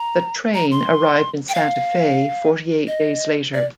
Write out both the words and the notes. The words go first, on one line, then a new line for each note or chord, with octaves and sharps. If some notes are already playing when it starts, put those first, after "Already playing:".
The 'train' arrived in Santa Fe forty-eight days later.
Already playing: A#5
A#5
C6
G5
F5
D#5
D5